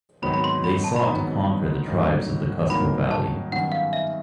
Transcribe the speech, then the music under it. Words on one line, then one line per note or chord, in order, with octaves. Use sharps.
They sought to conquer the tribes of the Cusco Valley.
G#1 G#2 D#3 F#3 B3 B5
B5
C6
B5
A5
B5
G#1 G#2 D#3 F#3 B3 A#5
G#1 G2 D#3 F#3 A#3
G#1 G2 D#3 F#3 A#3 B5
A5
F#2 D#3 G3 B3 F#5
F5
E5